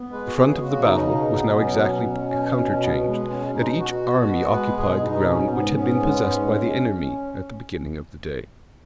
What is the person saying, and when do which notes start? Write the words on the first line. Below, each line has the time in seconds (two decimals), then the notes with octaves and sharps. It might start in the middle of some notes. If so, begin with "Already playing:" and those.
The front of the battle was now exactly counterchanged; and each army occupied the ground which had been possessed by the enemy at the beginning of the day.
Already playing: B3
0.10 G#3 B4
0.27 F#4
0.35 C#3 G#4
0.60 C#3 F#4
0.84 B2 D#4
1.09 B2
1.33 B3
1.58 F#3 C#4
1.82 B2
2.07 B2
2.31 B2
2.57 B2
2.81 B3
3.05 G#3 B3
3.29 B2 C#4
3.54 B2 D#4
3.79 B2 F#4
4.03 B2
4.28 B3
4.52 G#3 B4
4.77 B2 G#4
5.02 B2 D#4
5.26 G#2 C#4
5.51 G#2 B3
5.75 B3 C#4
6.00 G#3
6.24 G#2